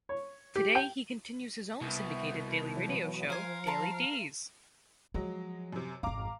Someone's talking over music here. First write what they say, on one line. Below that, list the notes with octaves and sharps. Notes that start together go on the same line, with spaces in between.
Today he continues his own syndicated daily radio show, "Daily Dees".
C#5
G4
G5
C2 B2
E3 F#3
F3 A#4 C5 F5 G#5
A5 A#5 C6
F3 F#3 G#3
F#2 C3
G#1 F2 F5 A#5 D6